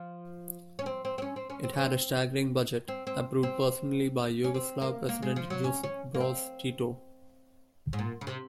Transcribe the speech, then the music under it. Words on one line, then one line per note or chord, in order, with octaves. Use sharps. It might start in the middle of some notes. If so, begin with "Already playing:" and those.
It had a staggering budget approved personally by Yugoslav president Josip Broz Tito.
Already playing: F3
C#4
C4
C4
C4
C#4
C4
C#4
C4
C#4
C4
C4
C4
C4
C#4
C4
A#3
A#3
G#3
F3
F#3
C#4
C#4
A#3
C4
G#2
A#2
C#3
C3